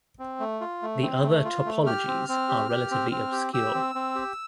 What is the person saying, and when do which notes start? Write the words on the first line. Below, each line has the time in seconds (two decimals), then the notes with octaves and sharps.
The other topologies are relatively obscure.
0.19 C4
0.40 A3
0.61 F4
0.82 A3
1.02 C4
1.23 A3
1.45 F4
1.65 A3
1.86 G4 F6
2.08 C4
2.29 C4
2.49 G4
2.69 G4
2.91 C4
3.11 C4
3.32 G4
3.53 G4 E6
3.75 C4
3.95 C4
4.15 G4